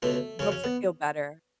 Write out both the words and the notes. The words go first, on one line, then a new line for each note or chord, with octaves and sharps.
helps it feel better.
C#2 B2 A3
F#2 C#3 C#4
C#4
B3